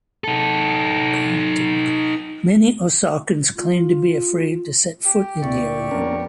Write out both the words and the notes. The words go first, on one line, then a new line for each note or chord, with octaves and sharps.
Many Osakans claim to be afraid to set foot in the area.
D#4 A4
F4
G4
D2 A#2 E4 D5 C#6
F2 A#3 B3 C#4 D4 A#4